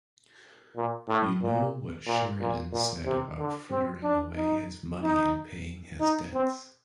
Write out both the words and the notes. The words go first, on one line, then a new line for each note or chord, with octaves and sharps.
You know what Sheridan said about frittering away his money in paying his debts.
A#2
A2
A#2
A#2
A#2
A#2
C3
D3
C4
D4
D#4
D#4
D#4
C4